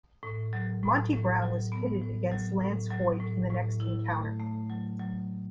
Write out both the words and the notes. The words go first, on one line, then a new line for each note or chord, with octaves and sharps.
Monty Brown was pitted against Lance Hoyt in the next encounter.
A2
F#3
A2
A2
F#3
B3
A2
F#3
A2
F#3
A2
A2
E4
A3
A3
F#3
F#3